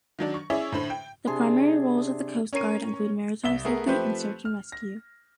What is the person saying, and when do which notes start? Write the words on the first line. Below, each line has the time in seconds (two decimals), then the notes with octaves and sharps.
The primary roles of the Coast Guard include maritime safety and search and rescue.
0.19 D#3 F#3 D4
0.34 C#6
0.50 C#4 E4 G#4 C#5 D5 E5
0.72 A2 D3 C5 B5
0.90 G5
1.27 C3 D4 G#4 C6
2.53 C#4 A#4 C#5 C#6 C7 D#7
3.44 C2 E5 G7
3.65 A3 B3 G#4 A#4
3.86 F3 A3 C4 G4 B4 C5
4.45 F6
4.72 A#6